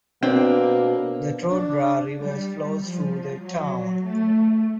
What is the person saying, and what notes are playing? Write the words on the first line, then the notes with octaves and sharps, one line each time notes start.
The Tordera River flows through the town.
B2 A#3 C4 D4
D4
G3
F3
F#3
A3